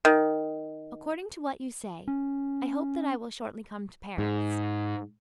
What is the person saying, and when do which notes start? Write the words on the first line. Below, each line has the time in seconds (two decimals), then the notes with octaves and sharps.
According to what you say, I hope that I will shortly come to Paris.
0.05 D#3
2.08 C#4
4.18 G#2